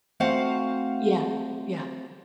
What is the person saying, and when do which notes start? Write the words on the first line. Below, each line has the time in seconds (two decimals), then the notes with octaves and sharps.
Yeah, yeah.
0.20 A3 C4 F#4 C5 F5 F#5